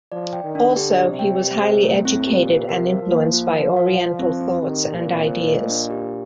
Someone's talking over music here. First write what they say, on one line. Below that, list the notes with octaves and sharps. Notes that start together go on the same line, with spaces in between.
Also he was highly educated and influenced by Oriental thoughts and ideas.
F3 D5
G5
D#3
D4
D3 G4
D5
C3
G5
C3 G4
C5
A3
A2 C4
G4
A#2
C5
C3 A#4
F5
F3
A#3
F4
A#4
F5
D5
C4
C4
D#3 G4
D5
A#2
C4
C5
D#5
D4
G4